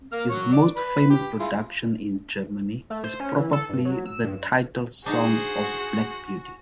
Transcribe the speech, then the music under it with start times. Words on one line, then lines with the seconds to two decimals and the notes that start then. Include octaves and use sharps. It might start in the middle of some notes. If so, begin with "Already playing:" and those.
His most famous production in Germany is probably the title song of Black Beauty.
0.12 A#3 F6
0.30 F#3 C#5
0.53 D5
0.77 B4
1.10 G4
1.40 E4 F4 G#4
2.90 A3
3.04 C5
3.20 C#4
3.36 E3
3.53 A4
3.69 G2
3.85 F#3
4.06 E6
4.24 G2
5.06 D4 D#4 F#4 G#4 C5 F#5